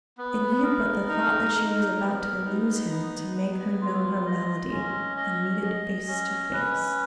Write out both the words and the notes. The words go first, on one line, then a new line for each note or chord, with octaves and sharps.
It needed but the thought that she was about to lose him to make her know her malady, and meet it face to face.
B3
A#4
D#4
A#4
B3
D#4
B3
B3
F4
D#5
C#4
D#5
D#5
C#4
B4